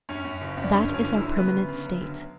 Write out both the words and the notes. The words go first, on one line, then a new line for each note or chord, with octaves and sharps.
That is our permanent state.
F#2 C#4
F#2
F#1
F#2
D4
G2 C#4
G1
C#4
D3
E3 E4
F#3
C#3 B3 B4
D2
C#3
F#3
D2